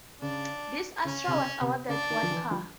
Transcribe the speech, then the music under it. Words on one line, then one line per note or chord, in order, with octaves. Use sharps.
This Astra was awarded What Car?
C#3 D4
C#3 C#4
C3
C#3
C3
C#3 D4
D#3
F3
E3
F3